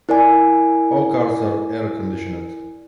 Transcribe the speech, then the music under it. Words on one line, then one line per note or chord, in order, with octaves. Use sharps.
All cars are air-conditioned.
E4 A#4 D5 G#5